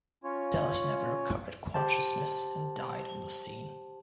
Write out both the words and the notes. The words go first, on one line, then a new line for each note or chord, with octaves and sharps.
Dallas never recovered consciousness and died on the scene.
C#4 F4 C#5
G4 C5 A5